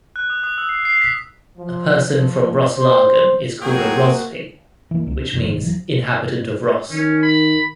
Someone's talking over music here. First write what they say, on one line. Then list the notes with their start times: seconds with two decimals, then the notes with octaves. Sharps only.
A person from Roslagen is called a "Rospigg" which means "inhabitant of Ros".
0.16 F#6
0.30 D#6
0.43 D#6
0.58 E6
0.69 C7
0.85 C7
1.01 B6
1.57 F3
2.06 F3
2.76 C5
3.61 F#3 A#3 F#4 G#4 G5
4.91 E3 A#3
5.06 C2 D3
5.19 D4
5.32 F#1 F2 A#2 F3
5.46 E1 C2 D#3
5.63 E3 F#3
6.91 D#3 C#4
7.23 B5